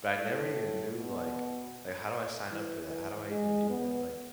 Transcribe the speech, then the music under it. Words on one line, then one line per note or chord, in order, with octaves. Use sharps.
but I never even knew like like how do I sign up for that? How do I even do that? Like,
A2
B2
E3
G#3
B3